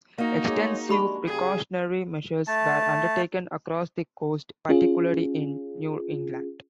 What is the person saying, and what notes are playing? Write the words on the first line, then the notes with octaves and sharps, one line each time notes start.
Extensive precautionary measures were undertaken across the coast, particularly in New England.
A#3 D#4 F#4
G#3 G#4 C#5
G#3 D4 G4 B5 C#6
C#3 G3 G#4
A3 A5
C#4 F4 G#4